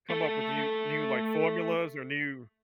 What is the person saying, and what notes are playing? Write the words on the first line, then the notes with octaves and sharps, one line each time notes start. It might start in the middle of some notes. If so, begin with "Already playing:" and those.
come up with you new like formulas or new
A3 A4